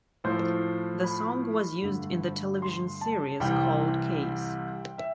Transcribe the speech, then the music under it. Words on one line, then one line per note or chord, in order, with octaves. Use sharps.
The song was used in the television series "Cold Case".
A2 F3 A3 C5
B5
G2 D3 A3
C6
A5
C2 C3 E3 G3 G5
E5